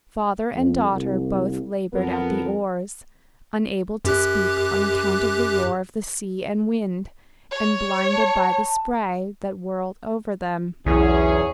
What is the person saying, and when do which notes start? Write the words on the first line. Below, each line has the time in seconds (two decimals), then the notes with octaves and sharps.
Father and daughter both labored at the oars, unable to speak on account of the roar of the sea and wind, and blinded by the spray that whirled over them.
0.56 F2
0.92 C2
1.93 F2 B3 A4 A#4
4.05 F#2 G4 F#6
7.51 C#5
8.13 A5
10.86 B1 E2 E3 C#4 G#4